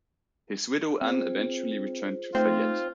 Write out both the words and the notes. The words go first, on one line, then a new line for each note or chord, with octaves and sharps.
His widow Ann eventually returned to Fayette.
C4 F4 G#4 C5
A3 C4 D#4 F4